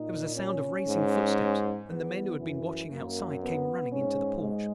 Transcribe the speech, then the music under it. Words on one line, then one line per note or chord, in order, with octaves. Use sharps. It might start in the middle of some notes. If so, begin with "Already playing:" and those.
There was a sound of racing footsteps and the men who had been watching outside came running into the porch.
Already playing: A#2 D#4
C#4
G#2
E2 B3
F#2 E3
F#2 A#3
B3
G#2 C#4
G#3